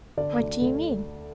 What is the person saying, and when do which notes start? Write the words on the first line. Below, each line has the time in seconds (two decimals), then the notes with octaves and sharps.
What do you mean?
0.17 D3 D5
0.40 D2
0.61 D2